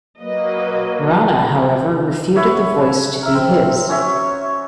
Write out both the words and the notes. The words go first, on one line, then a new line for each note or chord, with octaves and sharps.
Rana however refuted the voice to be his.
F#3 A#3 B4 D#5
B4 C#5 E5 F#5
A#4 E5
C4
C#4 F#4 C#5 E5